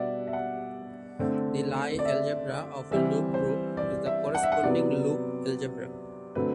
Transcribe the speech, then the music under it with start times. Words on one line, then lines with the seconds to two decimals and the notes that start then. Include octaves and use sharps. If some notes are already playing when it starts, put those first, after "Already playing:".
The Lie algebra of a loop group is the corresponding loop algebra.
Already playing: B2 G3 B3 D5 E5 F#5
0.27 E5
0.33 F#5
1.19 D3 A3 C4
1.99 D5
2.05 E5
2.91 E3 G3 C4 E5
3.34 C5
3.77 D5
4.06 E5
4.35 F#5
4.43 E5
4.52 F#5
4.63 C3 F#3 B3 D5
6.35 D3 F#3 A3 C4 B4